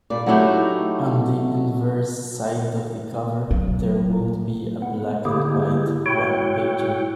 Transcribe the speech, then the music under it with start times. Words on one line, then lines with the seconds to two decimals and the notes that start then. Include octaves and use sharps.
On the inverse side of the cover, there would be a black-and-white One-Pager.
0.10 A#2 G3 D5
0.26 F#3 A3 D#4 E4 F#4 G4
3.51 F#3
4.82 B3
5.25 D3 A#3 E4 G4 G#4
6.06 E4 F#4 C#5 G5